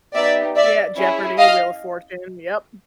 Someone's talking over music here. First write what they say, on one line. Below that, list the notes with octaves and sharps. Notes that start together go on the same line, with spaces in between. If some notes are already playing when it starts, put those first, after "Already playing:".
Yeah, Jeopardy, Wheel of Fortune, yup.
B3 D#4 G4 D5 E5
D5 E5
C#4 E4 G#4
D#5 F5